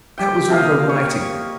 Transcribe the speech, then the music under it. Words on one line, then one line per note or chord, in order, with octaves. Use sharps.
That was all the writing.
G4 G5
C3 A#3 D#5 F5
C#5